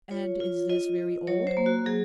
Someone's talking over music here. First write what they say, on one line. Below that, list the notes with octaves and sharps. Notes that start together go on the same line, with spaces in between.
'And is this very old?'
F4 C#5
F4
F4 D#5
F4
F#3 C#5
C5
A#3
F#4
F#3 G#4